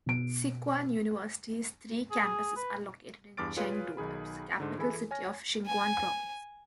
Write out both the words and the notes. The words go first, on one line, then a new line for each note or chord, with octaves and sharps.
Sichuan University's three campuses are located in Chengdu, the capital city of Sichuan Province.
B2 D7
G#4
B4
E2 G2 D6 F6 A6 D7
F4 G#4 B4 C#5 F5
B1 D#3 G#4 B5
G#2 D3
E3 E4 G#4 A4 G#5 B5
C#5 G#5 F6 A#6
G#5